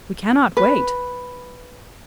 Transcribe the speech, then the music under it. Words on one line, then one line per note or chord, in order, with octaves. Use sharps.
"We cannot wait."
B4